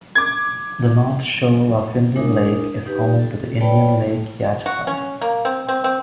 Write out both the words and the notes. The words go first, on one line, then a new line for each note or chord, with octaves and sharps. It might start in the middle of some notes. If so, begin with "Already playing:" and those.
The north shore of Indian Lake is home to the Indian Lake Yacht Club.
D6 G#6
G#3 D4 E4 A#4 D#6
D#4 G4 B4
A4
B4 C#5 D5 G5 A5 B5
F#4
C#4
A#3
C4
C4
C4